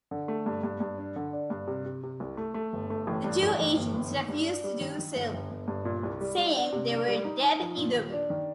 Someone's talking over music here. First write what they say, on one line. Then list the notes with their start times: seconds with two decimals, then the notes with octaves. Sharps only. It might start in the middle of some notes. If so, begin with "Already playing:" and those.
The two agents refused to do so, saying they were dead either way.
0.11 D3
0.28 A3
0.46 G2
0.63 G2
0.80 G2
0.98 D4
1.16 D3
1.33 D4
1.50 G2
1.67 C3
1.86 C3
2.03 C3
2.20 C2
2.37 A3
2.54 A3
2.73 G1
2.90 A3
3.07 A1
3.24 G2
3.43 A1
3.59 A1
3.77 G1
3.94 G1
4.11 D#3
4.28 G2
4.46 D4
4.64 G3
4.81 D#3
4.99 D#3
5.16 G1
5.34 G1
5.51 G1
5.68 G2
5.85 A#2
6.03 C2
6.21 G3
6.38 G3
6.56 D4
6.72 C3
6.90 D4
7.08 G3
7.25 D#4
7.42 D#4
7.60 F3
7.77 A#2
7.95 D#2
8.12 D4
8.30 D#3